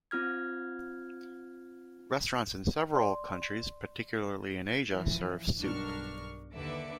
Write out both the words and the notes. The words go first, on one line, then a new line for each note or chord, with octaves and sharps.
Restaurants in several countries, particularly in Asia, serve soup.
C4 F4 F6 G#6
D5 C6
F#2 A#2 E3 F3
B1 G2 D4 A#4 C#6 F6
D#2 D3 B4 E5 D6 C#7